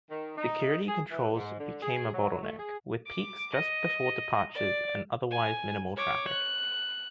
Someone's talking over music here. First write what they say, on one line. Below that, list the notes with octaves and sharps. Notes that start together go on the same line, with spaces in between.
Security controls became a bottle-neck, with peaks just before departures and otherwise minimal traffic.
D#3
D#4
G#4
E3
G#2
D3
G#4
F#3
A3
G#4
D6
D#5
D5
G#5
C#5 D6
F#6